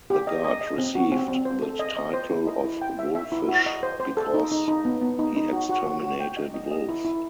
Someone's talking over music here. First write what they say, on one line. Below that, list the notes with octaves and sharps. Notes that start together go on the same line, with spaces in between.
The god received the title of Wolfish because he exterminated wolves.
G4
D#5
D#5
D#5
C4
F#4
C4
C4
C5
A4
D#5
D#5
C5
E4
D#5
E4
G5
E5
E5
E4
F#4
D#5
C5
C5
A4
D#4
D#4
D#4
B3
B3
D#4
D#4
F#4
F#4
F#4
F#4
G5
D#5
D#5
D#5
E4
E4